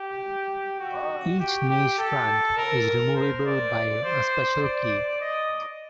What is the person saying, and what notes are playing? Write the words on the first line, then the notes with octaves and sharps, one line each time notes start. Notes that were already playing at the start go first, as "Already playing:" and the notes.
Each niche front is removable by a special key.
Already playing: G4
F#4
G4
G4
A4
A#4
C5
D5
C5
D5
D#5